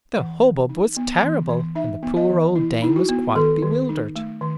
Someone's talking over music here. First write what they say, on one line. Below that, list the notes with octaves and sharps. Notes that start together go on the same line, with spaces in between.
The hubbub was terrible, and the poor old dame was quite bewildered.
E3 F#5
E3
D#4
B3
E3
E3
D#4 E5
B3
D#5
E3
E3 E4
D#4 E4
F#4
B3
D#3 A4
D#3
D#4
A3
D#3